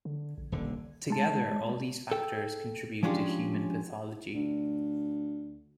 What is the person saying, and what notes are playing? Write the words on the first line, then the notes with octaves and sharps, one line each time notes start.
Together, all these factors contribute to human pathology.
D3
A#1
D#1 D3
G#3 A5
A4 G5
F3 G#3 C#4 D4 F4 G4
D2